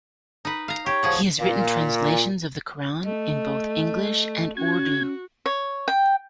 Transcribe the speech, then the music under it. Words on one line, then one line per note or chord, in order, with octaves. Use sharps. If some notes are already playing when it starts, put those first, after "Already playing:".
He has written translations of the Qur'an in both English and Urdu.
D#4 B4
F5 A#5
G4 C#5
F3 G#4 F#5
A#2
A3 D#5
C#4 F#4 G#6
C#5
G5